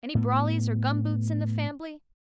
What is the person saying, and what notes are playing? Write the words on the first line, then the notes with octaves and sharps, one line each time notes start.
Any brollies or gumboots in the fambly?
A2 B3